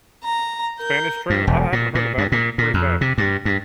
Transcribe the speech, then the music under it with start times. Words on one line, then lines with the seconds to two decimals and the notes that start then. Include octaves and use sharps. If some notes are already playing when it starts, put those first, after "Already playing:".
Spanish Trail? I haven't heard of that one. Where is that?
0.23 A#5
0.79 A#4 G6
1.30 G2
1.47 E1
1.73 A#2
1.95 A#2
2.18 G2
2.32 A#2
2.58 A#2
2.74 F2
3.01 C3
3.18 G2
3.45 G2